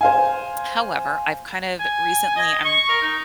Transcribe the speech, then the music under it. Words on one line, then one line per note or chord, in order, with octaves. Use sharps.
however, I've, kind of, recently I'm
C5 F5 G#5
G#5
D#5
C#6
A#4
D#4